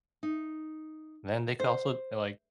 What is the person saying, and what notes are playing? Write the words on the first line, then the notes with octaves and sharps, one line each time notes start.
then they could also d like
D#4
C5